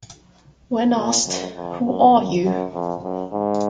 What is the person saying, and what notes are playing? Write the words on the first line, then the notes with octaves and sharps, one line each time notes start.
When asked, Who are you?
A#2
F#2
F2
F#2
F#2
F#2
F2
F#2
G#2